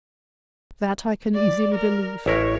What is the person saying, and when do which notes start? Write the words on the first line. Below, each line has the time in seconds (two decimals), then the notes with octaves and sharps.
"That I can easily believe."
1.34 D5
1.75 A#4
2.26 A1 E4 A#4 C#5